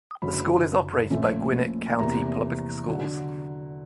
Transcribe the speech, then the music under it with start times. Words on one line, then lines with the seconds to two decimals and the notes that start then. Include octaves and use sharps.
The school is operated by Gwinnett County Public Schools.
0.22 F#1 F#2 D3 F#3 B5
1.10 A#1 A#2 F3 A3 C#4
1.99 E2 C3 E3 G3 A#3 A#5
2.87 D3 F#3